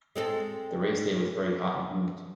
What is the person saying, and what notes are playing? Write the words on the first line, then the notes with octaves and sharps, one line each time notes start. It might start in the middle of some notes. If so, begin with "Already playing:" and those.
The race day was very hot and humid.
G#3 C4 A4